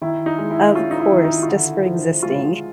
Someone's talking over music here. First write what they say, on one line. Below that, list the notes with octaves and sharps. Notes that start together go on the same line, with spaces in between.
Of course, just for existing.
D#3 E4
D#4
G#3
E4
C#4 F4
D#4
E4
D#3
D#4
F4
D3 E4
F3
G#3 F4